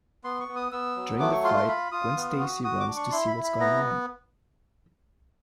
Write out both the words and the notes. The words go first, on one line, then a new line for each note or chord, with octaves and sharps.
During the fight, Gwen Stacy runs to see what's going on.
B3 C6
C#6
B3
D#6
B3 E6
F#3
A3 D6
C#6
F4 C6
C6
F4 B5
F4 D#6
B3
F#4
F#4 D#6
D6
D4
C#6
E4 C6
B5
E4
B5
B3 A#5